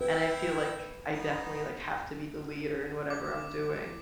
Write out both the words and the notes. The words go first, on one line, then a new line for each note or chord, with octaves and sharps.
and I feel like, I definitely, like, have to be the leader in whatever I'm doing.
E4 B4 E5 G5
B3 D#4
D6